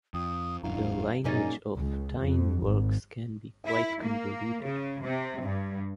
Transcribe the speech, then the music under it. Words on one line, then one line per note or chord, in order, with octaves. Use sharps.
The lineage of tie-in works can be quite convoluted.
F2 D#6
D#1 F#2 D4 E4 F5 A#5
F#2 A#2 A#3 C#4 D#4 G#4 A#5 A6
C#2
F2
G#1
E4
A#3
C#3
C3
G2